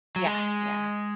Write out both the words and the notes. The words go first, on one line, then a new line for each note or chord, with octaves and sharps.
Yeah, yeah.
F#3
G#3